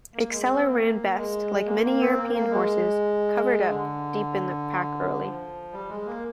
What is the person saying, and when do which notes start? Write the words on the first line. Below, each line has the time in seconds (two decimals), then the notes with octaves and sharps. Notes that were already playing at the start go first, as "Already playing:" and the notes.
Exceller ran best, like many European horses, "covered up"-deep in the pack early.
0.14 A#3
0.31 G#3
0.49 C4
0.66 A#3
1.16 G#3
1.66 A#3
1.84 A#3
2.01 C4
2.17 A#3
2.35 A#3
2.51 G#3
3.69 D3
5.22 F3
5.73 G3
5.89 G#3
6.06 A#3